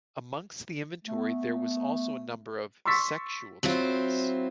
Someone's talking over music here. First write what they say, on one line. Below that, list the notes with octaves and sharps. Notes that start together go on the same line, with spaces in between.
Amongst the inventory there was also a number of sexual tools.
A3 B3
C6 C#6 E6 A6 B6
F#3 C4 E4 F4